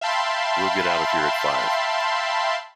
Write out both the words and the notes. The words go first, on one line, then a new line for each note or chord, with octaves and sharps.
We'll get out of here at five.
E5 F5 G5 A5 B5 C6